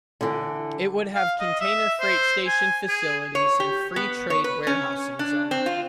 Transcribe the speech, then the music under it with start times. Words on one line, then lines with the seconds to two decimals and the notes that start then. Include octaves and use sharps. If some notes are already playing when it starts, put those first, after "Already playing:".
It would have container freight station facilities and free trade warehousing zone.
0.21 D3 E3
1.15 F5
1.40 D#5
1.60 E5
2.00 C5
2.47 G#5
2.88 G#4
3.35 C#5
3.60 G4
3.96 B3
4.30 C#5
4.44 B4
4.67 C#4
5.19 D4
5.51 C4
5.66 F4